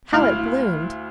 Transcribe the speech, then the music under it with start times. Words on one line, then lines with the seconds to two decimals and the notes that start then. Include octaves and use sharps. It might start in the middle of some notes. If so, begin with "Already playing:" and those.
How it bloomed!
0.12 D2 E4 F5 F6